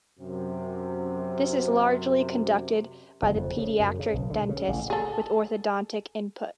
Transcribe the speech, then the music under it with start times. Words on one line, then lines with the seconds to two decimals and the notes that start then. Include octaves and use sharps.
This is largely conducted by the paediatric dentist with orthodontic input.
0.20 F#2 C3
3.22 F#1
3.36 F2
3.57 C#3
3.80 F#2
3.99 C#3
4.14 B1
4.30 D3
4.49 C#3
4.68 A1
4.90 G#4 A4